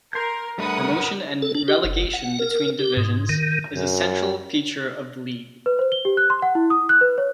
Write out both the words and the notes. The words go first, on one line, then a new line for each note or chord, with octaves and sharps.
Promotion and relegation between divisions is a central feature of the league.
A#4 C6 G6
G3 A3 D4 A#4 B4 F#5 D#6
A4
D4
G4
F#1
F#5
A#4
G4
G#2
D#3
F#2
B4
C5
G7
G4
F#6
C6
F#5
E4
D#6
F#6
B4
C#5